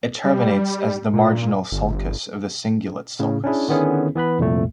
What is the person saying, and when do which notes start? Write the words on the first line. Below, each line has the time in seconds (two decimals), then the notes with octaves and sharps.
It terminates as the marginal sulcus of the cingulate sulcus.
0.25 G3
1.13 A#2
1.72 G1
3.19 A2 C#3
3.44 C#4 D4 E4 G#4
3.68 D3 D#3 B3 C#4 E4 G#4
4.16 E3 B3 B4 B5
4.39 C2 F2 A#2 A3